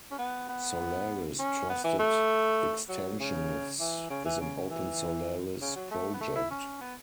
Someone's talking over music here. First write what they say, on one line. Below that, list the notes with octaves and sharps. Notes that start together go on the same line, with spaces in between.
Solaris Trusted Extensions is an OpenSolaris project.
C#4
B3
B3
C#4
B3
E3
A3
F#3
C#3
E3
C#3
E3
C#3
E3
C#3
F#3
A3
B3
A3
E4
C#4
B3